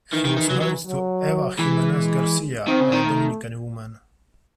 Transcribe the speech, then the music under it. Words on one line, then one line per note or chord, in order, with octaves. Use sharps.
He was married to Eva Jimenez Garcia, a Dominican Woman.
D#3 E3
D#3
D#3
F#3
F#3
F#3
E3 G#3
D#3 C4
C#3
D#3
A3